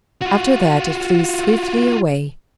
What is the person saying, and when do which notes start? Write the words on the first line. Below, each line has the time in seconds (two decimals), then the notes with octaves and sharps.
After that it flew swiftly away.
0.22 F4 F#4